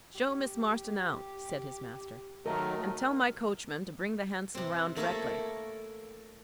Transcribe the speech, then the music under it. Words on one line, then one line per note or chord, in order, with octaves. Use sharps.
"Show Miss Marston out," said his master; "and tell my coachman to bring the hansom round directly."
G4
D#3 F#3 A3 A#4 D#5
C3 C4
A3 A#3 E4 A4 A#4 C#5